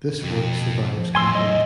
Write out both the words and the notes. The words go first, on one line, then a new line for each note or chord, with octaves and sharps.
This work survives complete.
F2 B2
F3
E2 A2 G#5 C6 E6
F#3 D#5